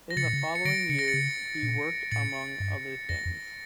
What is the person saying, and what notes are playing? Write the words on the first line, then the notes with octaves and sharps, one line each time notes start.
In the following years he worked among other things.
A#6
C#3 A6 C#7
A#2
C#3
C#7
D3 A#6 D7
C#3 C#7
A#6
A6 C#7
C#3
A#2
A2 A6 C#7
G2
F2 A#6
F2